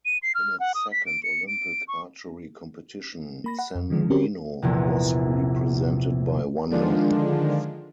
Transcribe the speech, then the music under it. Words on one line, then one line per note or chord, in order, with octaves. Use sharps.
In its second Olympic archery competition, San Marino was represented by one man.
D#7
C7
F6
F#5
D#6
B6
D7
C#7
D7
C#6
A#3 B5 A#6
F#5 B5
F2
D3 D#3 F3 G#3
D3 C4 C#4 F#4 G4 A#4
A#1 E2 C3
D3 D#3 F3 G#3 D4 F4